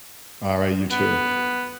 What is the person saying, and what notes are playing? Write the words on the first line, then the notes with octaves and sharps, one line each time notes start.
Alright, you, too.
B3